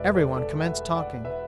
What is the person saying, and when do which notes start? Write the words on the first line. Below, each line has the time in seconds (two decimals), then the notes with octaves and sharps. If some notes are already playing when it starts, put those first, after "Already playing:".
Everyone commenced talking.
Already playing: E1 E2 B2 B4 D5 E5
0.15 A4 D5
0.36 A4 D5
0.60 F#5
0.66 B4 E5
0.95 D5 F#5
1.24 B4 E5